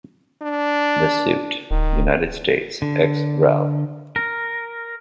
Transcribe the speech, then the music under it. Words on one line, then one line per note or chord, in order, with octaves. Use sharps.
The suit, United States ex rel.
D4
D1 D#3
D3
A#4